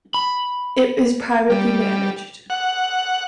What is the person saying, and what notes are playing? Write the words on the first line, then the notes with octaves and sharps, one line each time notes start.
It is privately managed.
B5
G3
F#5